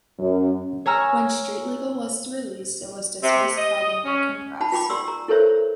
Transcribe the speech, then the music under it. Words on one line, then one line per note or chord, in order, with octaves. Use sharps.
When "Street-Legal" was released, it was dismissed by the American press.
F#2
C#5 G#5 A#5 E6 F6
C3
D#5
C#4
D#4 F#5 A5 B5
F4 G5 B5 D6
G4 D5 C6 E6
A#5
E4 A4 A#4 C5 C#5 E5